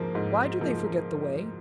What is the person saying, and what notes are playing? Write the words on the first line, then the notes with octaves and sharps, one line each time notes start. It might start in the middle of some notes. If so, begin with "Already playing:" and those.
"Why do they forget the way?"
Already playing: G#2 F3 A#3
G#2
F3 A#3